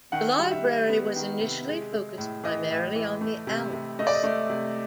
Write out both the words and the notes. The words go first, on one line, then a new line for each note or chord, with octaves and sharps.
The Library was initially focused primarily on the Alps.
D#3 F#5
G3
E5
G3
B3
D#3
C3
G#3
G#3
A2
E3 D#5
A2
E3
A3
C3
C3
A3 D#5
D5
D#5
A3
C3